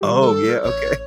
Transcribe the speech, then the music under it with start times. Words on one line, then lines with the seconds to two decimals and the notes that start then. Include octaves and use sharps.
Oh yeah, okay.
0.01 D#3 G3 G4
0.21 A4
0.48 F6 G6
0.64 A1 C#5